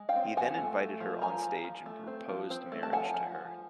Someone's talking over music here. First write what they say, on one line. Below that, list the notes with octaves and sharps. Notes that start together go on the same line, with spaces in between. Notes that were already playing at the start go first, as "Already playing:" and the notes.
He then invited her onstage and proposed marriage to her.
Already playing: G#3
F5 G5
C4
F3 F#5 G#5
A3
A3
F3
F3 G#5 A#5
F3
F3
A3
C4
F3
C4
A3
A5
F3 F#5 G#5
F3
F3